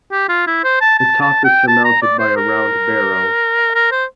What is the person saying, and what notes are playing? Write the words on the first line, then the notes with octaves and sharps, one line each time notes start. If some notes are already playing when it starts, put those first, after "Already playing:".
The top is surmounted by a round barrow.
G4
F4
E4
C5
A5
A5
A5
G5
A5
A#5
D5
C5
A#4
A#4
C5